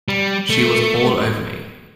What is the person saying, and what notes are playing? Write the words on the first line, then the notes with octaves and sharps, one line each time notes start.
She was all over me.
G3
A3